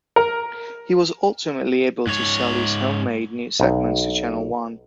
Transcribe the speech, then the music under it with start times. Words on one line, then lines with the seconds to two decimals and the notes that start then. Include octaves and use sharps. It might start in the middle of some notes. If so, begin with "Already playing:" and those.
He was ultimately able to sell his home-made news segments to Channel One.
0.16 A#4
2.07 G#2 C#5
3.60 B1